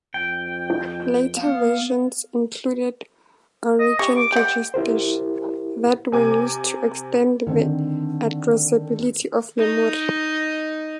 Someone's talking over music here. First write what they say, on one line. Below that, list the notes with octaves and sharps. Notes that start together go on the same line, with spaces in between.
Later versions included "origin registers" that were used to extend the addressability of memory.
F2 G5
B3 F5
D#5
G4 C#6
D6
G4 F#5 G5
E4 G4 A#4 C5
C3 G#5 D6
D3 D#3 C4
D#4 D#5